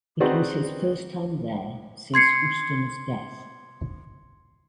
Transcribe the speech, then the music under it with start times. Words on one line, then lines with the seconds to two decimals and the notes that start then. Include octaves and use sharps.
It was his first time there since Houston's death.
0.20 C4 D#4 F#4 G#4 B4 D5
2.14 C6 G#6 C7 C#7